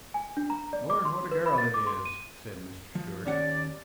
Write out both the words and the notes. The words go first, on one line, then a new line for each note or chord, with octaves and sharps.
"Lord! what a girl it is!" said Mrs. Stuart.
G#5
D4
A#5
D5
D6
C6
B4
B5
A6
D6
C6
D#7
F3
D#2 C#4 D5 F#5